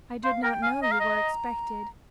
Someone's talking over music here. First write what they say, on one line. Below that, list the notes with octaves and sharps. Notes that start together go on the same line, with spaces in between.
"I did not know you were expected."
C5 F5
A#4 G5
F5 G#5
D#5 A#5
F5
D#5